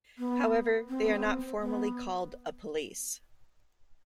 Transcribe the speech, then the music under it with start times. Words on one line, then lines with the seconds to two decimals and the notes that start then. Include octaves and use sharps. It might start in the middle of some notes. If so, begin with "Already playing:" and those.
However, they are not formally called a "police".
0.18 B3
0.89 C4
1.03 B3
1.16 C4
1.60 B3